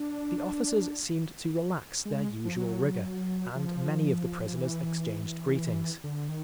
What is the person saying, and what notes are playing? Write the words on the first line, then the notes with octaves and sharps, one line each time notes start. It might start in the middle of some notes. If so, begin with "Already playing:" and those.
The officers seemed to relax their usual rigor, and many of the prisoners exchanged greetings.
Already playing: D4
G#3
F3
F#3
F3
F3
E3
D3
D#3